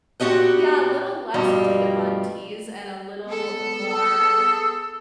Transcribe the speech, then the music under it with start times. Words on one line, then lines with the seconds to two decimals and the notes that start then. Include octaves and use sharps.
Yeah, a little less Dita Von Teese and a little more
0.20 A#2 B3 F#4 G4 D#5 F#5
1.34 G2 B2 F3 G3
3.25 B3 A4
3.86 G#4 A5 E6